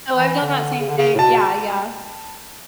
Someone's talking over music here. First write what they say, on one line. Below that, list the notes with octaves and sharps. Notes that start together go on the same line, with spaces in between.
Oh, I've done that same thing. Yeah. Yeah
E3
D3
C#3
D3
C#3
A2
B2 A5